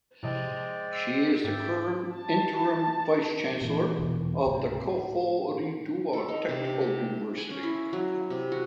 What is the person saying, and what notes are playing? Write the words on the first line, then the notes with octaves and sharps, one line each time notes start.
She is the current interim Vice Chancellor of the Koforidua Technical University.
A2 C3 F3 G#3 C4 D5
E6 C7
G#2 D5 E5 G5
A5
A#2 E3
E2 B2 E3
C#2 G#2 C3
A2
A4
D#4
C3
G4
G4
G#5
C#4
E4
F#3
C3
F#4